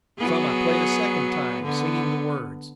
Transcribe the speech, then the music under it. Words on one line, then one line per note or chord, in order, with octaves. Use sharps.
Some I played a second time, singing the words.
F#3 B3 G#4
D3 B3